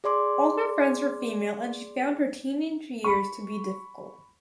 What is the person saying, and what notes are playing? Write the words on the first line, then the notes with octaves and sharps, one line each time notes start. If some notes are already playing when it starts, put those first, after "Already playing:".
All her friends were female and she found her teenage years to be difficult.
G#4 D5 C6 D6
B5 C#6